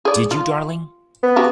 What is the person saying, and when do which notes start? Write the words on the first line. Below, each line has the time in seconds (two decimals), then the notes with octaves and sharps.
Did you, darling?
0.05 G#4 D5
0.31 F4
1.23 B3
1.36 C#3 F#4 G4